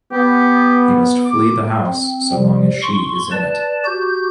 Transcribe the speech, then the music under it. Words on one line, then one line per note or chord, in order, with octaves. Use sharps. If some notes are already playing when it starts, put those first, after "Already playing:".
He must flee the house so long as she is in it.
B3 G4
D6
C4
C3 F3 G3
C6 C#6
B4 D5 A5
F#4 G4 G6